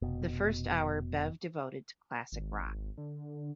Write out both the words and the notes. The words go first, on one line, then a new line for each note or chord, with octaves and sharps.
The first hour, Bev devoted to classic rock.
F1 B2
G#1
D3